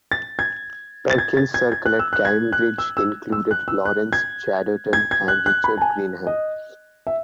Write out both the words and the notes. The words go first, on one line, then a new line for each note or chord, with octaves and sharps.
Perkins's circle at Cambridge included Laurence Chaderton and Richard Greenham.
A6
G#6
A6
G#6
A6
G#6
G#6
F#6
E6
F#6
G#6
F#6
E6
E6
E6
F#6
E6
F#6
G#6
G#6
G#6
F#6
F#6
B5
A5
G#5
D#5
E5